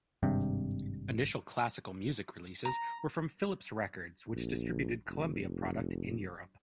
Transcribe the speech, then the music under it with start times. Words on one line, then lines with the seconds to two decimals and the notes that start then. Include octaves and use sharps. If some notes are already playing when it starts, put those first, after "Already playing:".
Initial classical music releases were from Philips Records which distributed Columbia product in Europe.
0.23 G#1 G2 C3
2.65 A#5
4.34 A#1
5.08 F1